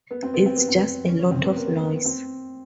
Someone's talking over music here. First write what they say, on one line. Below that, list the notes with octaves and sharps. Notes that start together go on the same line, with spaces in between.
It's just a lot of noise.
B3
C4
B3
C4
B3
C4
B3
C#4
C#4
C4
B3
A#3
B3
B3
B3
C4